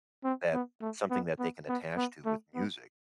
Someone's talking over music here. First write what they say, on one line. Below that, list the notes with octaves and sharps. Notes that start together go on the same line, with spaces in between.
that something that they can attach to with music,
C4
B3
A3
B3
B3
B3
B3
A3
B3